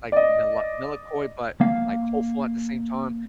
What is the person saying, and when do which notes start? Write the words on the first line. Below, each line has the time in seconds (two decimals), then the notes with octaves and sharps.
it's, like, mela melancholy, but, like, hopeful at the same time,
0.12 D5 D#5
1.61 A#3 F5